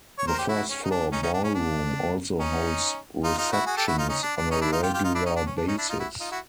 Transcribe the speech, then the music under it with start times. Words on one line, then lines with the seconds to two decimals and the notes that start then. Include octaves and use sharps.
The first floor ballroom also holds receptions on a regular basis.
0.18 C#5
0.27 A#4 C5
0.39 G4
0.48 E4 F#4
0.70 C#4
0.84 D#4
0.91 D4
1.12 C#4 D#4
1.22 C#4 D#4
1.34 D4
1.44 C#4
1.54 D4
2.39 C#4 D#4
3.24 D#4 F4
3.38 D#4 F4
3.52 E4 F#4
3.66 F#4 G#4
3.77 G4 A4
3.87 E4 F#4
3.98 D#4 F4
4.09 C#4 D#4
4.23 D4
4.37 D4
4.51 C#4 D#4
4.61 D4 E4
4.72 D#4 F4
4.83 F4 G4
4.94 F4 G4
5.04 D#4 F4
5.15 D4 E4
5.25 C#4 D#4
5.36 D4
5.46 C#4
5.57 D4
5.67 C#4 D#4
5.78 D4 E4
5.89 D#4 F4
5.99 E4 F#4
6.20 D#4 F4
6.31 E4 F#4